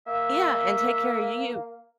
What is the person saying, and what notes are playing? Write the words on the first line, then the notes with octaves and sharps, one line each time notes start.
Yeah, and take care of you.
A#3 E5